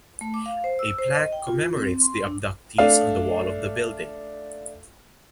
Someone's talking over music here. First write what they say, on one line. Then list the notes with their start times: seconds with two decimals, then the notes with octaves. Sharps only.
A plaque commemorates the abductees on the wall of the building.
0.21 A3
0.34 D6
0.46 F5
0.64 C5
0.79 E6
0.99 C5
1.15 D#5
1.33 G5
1.47 F4
1.77 C4
2.02 C6
2.26 D4
2.78 A3 D4 F5